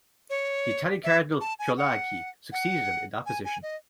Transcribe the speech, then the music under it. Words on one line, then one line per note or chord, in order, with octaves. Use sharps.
The Italian Cardinal Pio Laghi succeeded him in that position.
C#5
E5
A5
G#5
F#5
F#5
G#5
G#5
D#5